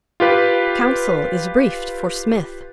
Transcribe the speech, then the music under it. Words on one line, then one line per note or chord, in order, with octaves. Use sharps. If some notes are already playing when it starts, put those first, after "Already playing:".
Counsel is briefed for Smith.
F4 G4 B4